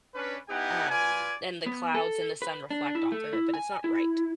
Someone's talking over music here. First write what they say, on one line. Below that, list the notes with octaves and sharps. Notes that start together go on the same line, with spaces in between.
Um, and the clouds and the sun reflect off of it, but it's not right.
C#4 D4 B4
B3 D#4 E4 G4 F#5 G#5
F4 B4 D5 G#5
B3
A4
B4
D4
E4
A3
E4
G#5
E4